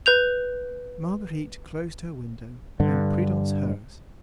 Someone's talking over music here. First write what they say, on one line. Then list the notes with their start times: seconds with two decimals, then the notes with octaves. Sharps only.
Marguerite closed her window and Prudence hers.
0.06 B4 G6 F7
2.80 G2 D3